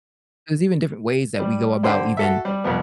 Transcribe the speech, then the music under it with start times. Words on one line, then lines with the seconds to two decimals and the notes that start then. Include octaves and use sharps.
There's even different ways that we go about even,
1.39 G3
1.83 D3 C5 G5 B5
2.17 F#4 A4 E5
2.45 G3
2.64 C2 F2 B3